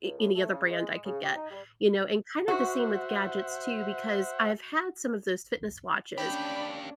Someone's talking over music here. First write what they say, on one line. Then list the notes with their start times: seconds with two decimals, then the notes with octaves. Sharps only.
a any other brand I could get, you know, and kinda the same with gadgets, too, because I have had some of those fitness watches
0.02 C#2
0.18 A2
0.35 A3
0.51 C#3
0.71 G#3
1.05 C#3
1.23 G4
1.35 D#4
1.51 G3
2.48 F#4 C5 E5 F#5
6.18 A#3 C#4 D4 G4 G5 B5